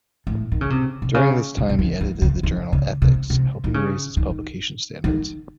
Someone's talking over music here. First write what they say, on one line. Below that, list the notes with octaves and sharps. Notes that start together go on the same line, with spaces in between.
During this time he edited the journal "Ethics", helping raise its publication standards.
A2
D#3
C#3
C3
C3
C#3
C#3
C#3
D#3
E3
C#3
D#3
C#3
C3
C3
D#3
C#3
D#3
D#3